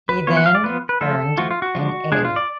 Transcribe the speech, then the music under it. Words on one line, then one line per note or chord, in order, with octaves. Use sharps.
He then earned an A.
B4
F3 B3 F4 C#5
F#5
F5
D5
F3 B3 F4 B4
B4
F3 A3 F4 A4
F3 A3 F4 F#4
F4
F#4
F3 G#3 D4
F3 G#3 D4 G#4
F4
D5